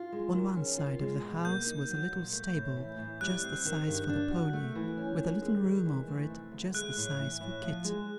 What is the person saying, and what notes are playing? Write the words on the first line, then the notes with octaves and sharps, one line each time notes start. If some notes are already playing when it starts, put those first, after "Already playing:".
On one side of the house was a little stable, just the size for the pony, with a little room over it, just the size for Kit.
Already playing: F4
G#3
D#3
C#4
F4
G#3
B2
A#3 G6
D#4
F#3
A#2
A3
A2
E3
A2
G3 F#6
C4
D#3
G2
D4
F#4
A3
E3
C#4
D#3
G#3
D#3
E3
A3
C3
D2
G#3 F#6
A2
E3
A2
F3
G#3